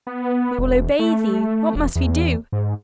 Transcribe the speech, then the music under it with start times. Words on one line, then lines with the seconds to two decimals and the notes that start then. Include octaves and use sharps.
We will obey thee, what must we do?
0.07 B3
0.59 E1
0.99 A3
1.75 E1
1.95 E2
2.52 G#2